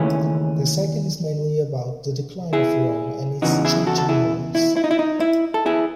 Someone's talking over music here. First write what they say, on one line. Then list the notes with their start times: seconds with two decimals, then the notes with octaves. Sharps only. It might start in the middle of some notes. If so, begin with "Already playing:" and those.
The second is mainly about the decline of Rome and its changing morals.
Already playing: D#2 C#3 E3 A3 C#4 G#4
2.53 E4 G#4
3.42 E2 C#3 E3 D#4 F#4
3.65 E4 G#4
3.87 F#4 A4
3.98 A4
4.09 E4 G#4
4.55 E4
4.77 E4
4.84 D#4
4.91 E4
4.99 D#4
5.21 E4
5.54 A4
5.66 E4 G#4